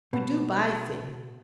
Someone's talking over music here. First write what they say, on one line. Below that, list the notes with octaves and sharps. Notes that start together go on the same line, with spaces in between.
We do buy things.
B2